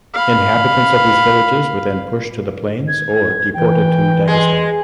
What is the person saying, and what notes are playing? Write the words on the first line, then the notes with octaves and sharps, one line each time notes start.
Inhabitants of these villages were then pushed to the planes or deported to Dagestan.
F5 B5
G#6
E3 G5
G#3 C6